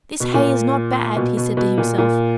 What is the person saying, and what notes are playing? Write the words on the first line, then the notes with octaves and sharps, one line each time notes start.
"This hay is not bad," he said to himself.
B2
A#2
B2
B2
B2
A#2
A#2